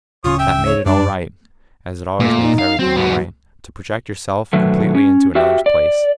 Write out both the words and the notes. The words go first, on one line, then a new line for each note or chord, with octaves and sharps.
That made it all right--as it always makes everything all right to project yourself completely into another's place.
D1 C#3 C#4 F4 C#5 D#6
E5 G5
C#5
F#2 G3 D4 D5
A#2 A3
D#4
F5
F#3 C4
G#2 B3
B2 D3 D#3 F#3 A3
C#4
F#4 G4 E5 G5
D5